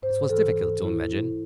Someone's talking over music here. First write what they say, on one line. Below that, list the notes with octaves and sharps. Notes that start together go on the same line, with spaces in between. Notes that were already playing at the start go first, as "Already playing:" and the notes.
It was difficult to imagine.
G#2 C5
E3 A4
G#2 A4
E3 E4
G#2 E4